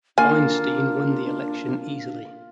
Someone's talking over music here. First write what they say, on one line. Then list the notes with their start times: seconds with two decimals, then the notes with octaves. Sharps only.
Feinstein won the election easily.
0.18 A#3 D4 F4 G#5